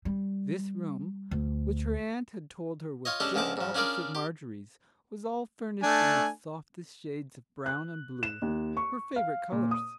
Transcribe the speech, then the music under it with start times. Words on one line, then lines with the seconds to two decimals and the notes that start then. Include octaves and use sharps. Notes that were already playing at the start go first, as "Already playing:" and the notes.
This room--which her aunt had told her was just opposite Marjorie's--was all furnished in the softest shades of brown and blue, her favourite colours.
0.05 G3
1.31 D2
3.05 F4 C#5 D#5
3.20 G#3 C#4 D4 G4 A4
3.34 C#2 D3 F3 G#3 A5 D6
3.57 G#2 F3
3.75 C#4 D4 F4 G#4 A#4 D5
4.15 G4
5.83 A3 D4 G#5
7.66 F#6
8.23 E7
8.42 D#2
8.77 C#6
9.16 F5
9.52 A#2
9.71 D#6